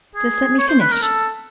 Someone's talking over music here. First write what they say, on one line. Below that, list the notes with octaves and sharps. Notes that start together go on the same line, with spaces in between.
"Just let me finish."
G#4
C#5
C5
B4
A#4
A4